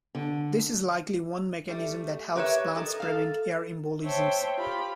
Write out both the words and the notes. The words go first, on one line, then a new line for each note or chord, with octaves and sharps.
This is likely one mechanism that helps plants prevent air embolisms.
D3
G3 A3
G4 A#4 B4 C#5 D#5 E5
A4 A#4 D#5
A4 F5
C5 C#5 E5 G5 A5
F4 G4 B5